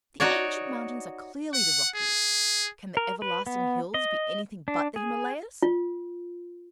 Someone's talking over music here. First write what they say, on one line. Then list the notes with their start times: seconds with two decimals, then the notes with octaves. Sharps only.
The ancient mountains are clearly the Rockies; can the everlasting hills be anything but the Himalayas?
0.20 D#4 F#4 C#5 D5
1.54 F#5
1.95 G#4
2.97 A#4
3.22 B4
3.47 B3
3.94 D#5
4.68 D4
4.96 G#4
5.62 F4